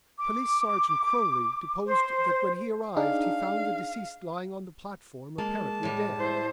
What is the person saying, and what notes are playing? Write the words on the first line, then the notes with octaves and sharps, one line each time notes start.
Police Sergeant Croly deposed that when he arrived he found the deceased lying on the platform apparently dead.
D6
C5
D4 D#4 G#4 F5
G#3 A#3 A5
A2 G3
E4 C5